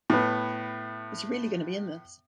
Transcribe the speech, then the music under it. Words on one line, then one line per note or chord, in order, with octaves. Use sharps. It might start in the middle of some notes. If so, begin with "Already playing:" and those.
Is he really going to be in this?
A2 B3